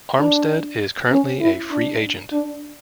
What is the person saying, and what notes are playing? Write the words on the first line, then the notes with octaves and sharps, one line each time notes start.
Armstead is currently a free-agent.
D4
C#4
E4
D4
D4